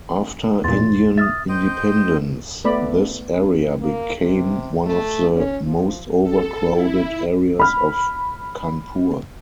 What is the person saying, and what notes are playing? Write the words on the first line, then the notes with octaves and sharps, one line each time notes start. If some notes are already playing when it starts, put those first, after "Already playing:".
After Indian Independence, this area became one of the most overcrowded areas of Kanpur.
E2 A#2 C6 A6
E5 D#6 F6 A6
C5 D#5 G5
A3 B3 D5 B5
A#3
C3
A3
C#4
F3
A4
E4
B5 F6